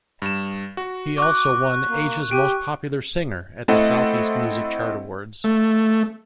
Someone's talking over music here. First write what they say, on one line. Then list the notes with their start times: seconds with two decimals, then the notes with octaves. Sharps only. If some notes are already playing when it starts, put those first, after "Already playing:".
He also won "Asia's Most Popular Singer" at the South East Music Chart Awards.
0.22 G2 E7
0.77 F#4
1.18 C#6 D6 F#6
1.89 A#3
2.31 G4 D7 D#7
3.68 A3 C4 E4 A4 D#5 F#5
5.44 A3